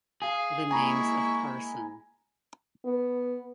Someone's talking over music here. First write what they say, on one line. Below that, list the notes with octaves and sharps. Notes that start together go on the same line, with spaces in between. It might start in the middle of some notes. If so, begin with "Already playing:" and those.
The names of Parson.
G#4 F5
G#3 A#3 E4 G#5 A#5 B5 C#6
B3